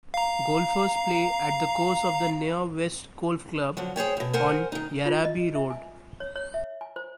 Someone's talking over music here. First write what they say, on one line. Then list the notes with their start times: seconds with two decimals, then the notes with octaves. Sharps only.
Golfers play at the course of the Nyah West Golf Club on Yarraby Road.
0.14 F5 A#5
3.77 D3 F3 F#3
3.96 G#4 C5 C#5 G5
4.17 E2 B2
4.33 A#4 C5 F#5 G#5
4.72 D#3 D#4
5.06 F4
5.25 D#5
5.55 E5
5.70 G#5
6.20 C#5
6.36 C#5
6.54 E5
6.81 G#5
6.96 C5